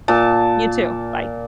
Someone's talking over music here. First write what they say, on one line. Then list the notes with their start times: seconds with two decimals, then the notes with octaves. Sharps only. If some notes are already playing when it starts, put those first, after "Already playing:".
You, too. Bye.
0.08 A#2 A5